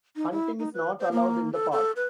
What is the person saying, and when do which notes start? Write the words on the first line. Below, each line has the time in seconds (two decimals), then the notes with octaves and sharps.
Hunting is not allowed in the park.
0.16 D#4
0.32 E4
0.59 D#4
0.74 B4
0.99 C5
1.12 A#3
1.53 A4
1.72 A4
1.96 B4